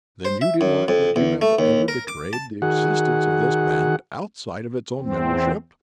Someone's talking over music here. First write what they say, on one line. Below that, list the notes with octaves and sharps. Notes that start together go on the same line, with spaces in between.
"Then, you deny that you have ever betrayed the existence of this band, outside of its own membership?"
C5
E5
F#2
F2
E2
A3
D#2
A#4
D6
A5
D#3 F#4 G#4 F#5
E2 C4